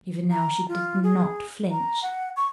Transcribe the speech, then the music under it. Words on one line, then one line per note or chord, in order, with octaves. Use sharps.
Even now she did not flinch.
A#5
F4
G#4
A#5
F#5
C#6